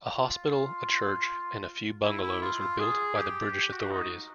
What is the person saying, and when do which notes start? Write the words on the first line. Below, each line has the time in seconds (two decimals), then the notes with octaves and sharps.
A hospital, a church, and a few bungalows were built by the British authorities.
0.17 F4
2.03 E4
2.22 E4
2.42 F4
2.59 F4
2.79 G#4
3.16 G4
3.54 G4
3.73 F#4
3.91 D#4